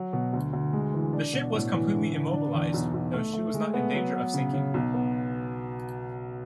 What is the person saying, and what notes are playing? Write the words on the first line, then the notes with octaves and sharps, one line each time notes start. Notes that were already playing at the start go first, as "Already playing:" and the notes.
The ship was completely immobilized, though she was not in danger of sinking.
Already playing: F#3
B2
D2
D2
G#3
E3
D4
B2
A2
E3
D3
D3
D4
E2
B1
B1
A3
A3
G#3
B3
F#3
B3
C#3
C#3
B1
B3